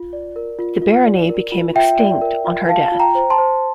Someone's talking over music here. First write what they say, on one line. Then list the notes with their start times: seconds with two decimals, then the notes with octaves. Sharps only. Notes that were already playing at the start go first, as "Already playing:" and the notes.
The barony became extinct on her death.
Already playing: F4
0.13 D5
0.36 A#4
0.59 F4
0.82 F4
1.05 D5
1.29 A#4
1.52 F4
1.75 F4 E5 G5
1.99 D5
2.21 A#4
2.45 F4
2.68 F4 F5 A5
2.92 F4
2.99 G5 A#5
3.15 C5
3.30 A5 C6
3.38 C5